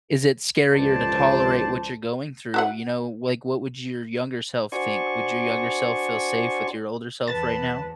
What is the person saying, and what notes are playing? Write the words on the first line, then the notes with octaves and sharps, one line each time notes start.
"is it scarier to tolerate what you're going through, you know, like, what would your younger self think, would your younger self feel safe with your older self right now?"
G1 C#2 F3 C5 D5 A5
F#4 E5 F#5
D4 F#4 C5 D5 G#5 C#6
E2 B4 A5 A6